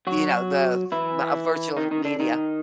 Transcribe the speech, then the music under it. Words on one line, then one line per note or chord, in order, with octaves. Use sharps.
You know, the the, uh, virtual media,
F#3 F#4
E3 E4
D#3 D#4
D#3 D#4
D3 D4
D#3 D#4